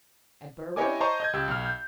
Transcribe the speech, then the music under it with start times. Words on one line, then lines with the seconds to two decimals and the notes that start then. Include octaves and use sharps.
At Berber?
0.76 E4 G4 C#5 D#5 G#5 D6
1.01 C5 D#5 A5 A#5 C6 C#6
1.20 D#5 G6 G#6
1.33 C#2 G4 E6 G#6
1.48 B1 F6
1.66 G6